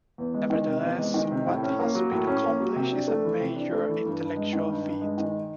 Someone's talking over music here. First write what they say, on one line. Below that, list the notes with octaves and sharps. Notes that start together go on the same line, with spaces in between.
Nevertheless, what has been accomplished is a major intellectual feat.
E2
G#3
D#3
C3
E2
G#3
D#3
C3
A2
C#4
A#3
F#3
A2
C#4
A#3
F#3
C3
D4
A3
E3
C3
D4
A3
E3
G2
G2
G#3
D#3
G2
G2
G#3
D#3